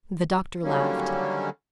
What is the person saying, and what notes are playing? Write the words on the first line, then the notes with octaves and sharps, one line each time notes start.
The doctor laughed.
D3 D#3 F#3 G3 A#3 C#4